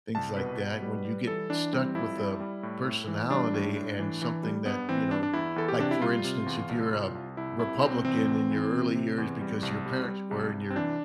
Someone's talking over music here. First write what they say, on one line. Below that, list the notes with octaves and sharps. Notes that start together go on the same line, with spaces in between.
things like that. When you get stuck with a personality and something that, you know Like, for instance, if you're a Republican in your early years because your parents were and you're
C2 A5
B2 B4
B2
G3
G3
E3 A4
E3 D4
G3 C4
F2 E4
G3
G3
A2
A2
E3
G3 D4
A2
A2
E3
E3
G3
G2 B3
E3 C4
G2 D4
D4
E2 E4
E2 A4
G4
C3 D4
E4
G3 F4
C3
E2
C2
C2
C2
C2 E4
C3 E4
C2 C4
E3 C4
E2
E3
C3
C3
E2
G3
C2
G3
G3
C2
C2
C4
E3 D4